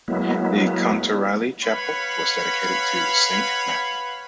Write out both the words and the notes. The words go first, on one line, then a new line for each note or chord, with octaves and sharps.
The Contarelli Chapel was dedicated to Saint Matthew.
F#3 G#3 A#3 B3 E4
B4 C#5 F5 F#5 B5